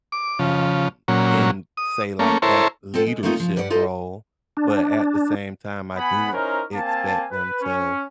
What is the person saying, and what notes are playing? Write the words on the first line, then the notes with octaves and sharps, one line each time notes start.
um, in, say like, that leadership role, but at the same time, I do expect them to,
D6
C#3 F3
A#2 F#3 C#4
D#6
A3 A#3 C#4
E4 A4 A#4 C5 C#5
C4 F4 A4 C5 F#5
G#3
A3 A#3 C4 C#4 D#4 F4
C#3 F3
G2 G3 B4 D5 F#5
E4 F4 A4 C5 D#5
D4
B3 F#5 G#5 B5
C#4 D#4 E4 A#4 C5
A#3 C4 G#5 A5
B4
C#4